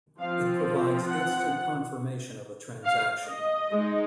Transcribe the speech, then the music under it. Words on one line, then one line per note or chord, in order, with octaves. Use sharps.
It provides instant confirmation of a transaction.
F3 C4 F4 F5
F#5
F5
D#5
G#3 D#4